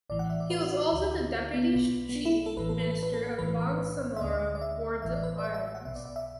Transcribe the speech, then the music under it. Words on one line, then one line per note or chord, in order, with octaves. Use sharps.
He was also the Deputy Chief Minister of Bangsamoro for the Islands.
A1 A2 E3 D5
F#5
E5
D5
B4
F#4
F#4
F#4
D2 D3
B3
B1 B2
B3
D4
E4
A4
A1 A2 E3 B4
A4
B4
A4
B4
A4
B1 A2 E3 B4
E5
D2 D3 D5
D5
E5
A1 A2 E3 E5
D5
B4
D5
E5
E5
E5
F#5
B1 B2 E5
D5
D5
E5